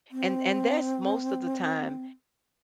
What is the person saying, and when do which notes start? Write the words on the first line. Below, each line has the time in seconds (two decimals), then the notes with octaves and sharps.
and and that's, most of the time
0.11 C4